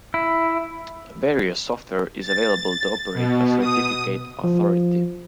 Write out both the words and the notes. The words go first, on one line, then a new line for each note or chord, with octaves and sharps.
Various software is available to operate a certificate authority.
E4
A6
B2
D#6
F3